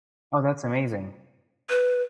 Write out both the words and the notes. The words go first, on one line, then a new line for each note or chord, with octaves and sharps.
Oh, that's amazing.
B4